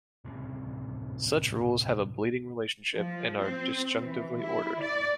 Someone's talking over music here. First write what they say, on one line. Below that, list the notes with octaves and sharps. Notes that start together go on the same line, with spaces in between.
Such rules have a bleeding relationship and are "disjunctively ordered".
D1 C2 C#3 C4
F3
C4
E3
E4
D5